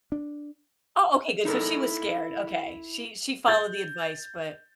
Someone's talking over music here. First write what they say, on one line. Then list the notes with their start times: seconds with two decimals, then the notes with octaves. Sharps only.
Oh, okay, good, so she was scared. Okay, she she followed the advice, but
0.12 D4
1.45 D#4 E4 A4 A#4
3.48 G6 A6